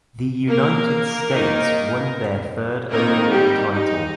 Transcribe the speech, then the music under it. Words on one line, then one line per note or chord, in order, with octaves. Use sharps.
The United States won their third overall title.
A#3 A#4
D#3 A#3 D#4
D#3 A#3 C4 D#4 A#4
G3 G4
D#4